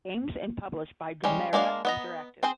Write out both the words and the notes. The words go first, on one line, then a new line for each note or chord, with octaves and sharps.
Games and published by Gamera Interactive.
G3 G#3 C#4
G#3 A#3 D4 F5
B3 D#5 A#5
C4 G#4 C5